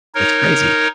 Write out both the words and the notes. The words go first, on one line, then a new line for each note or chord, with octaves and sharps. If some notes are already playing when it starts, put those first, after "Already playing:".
it's crazy.
D#4 A#4 C#5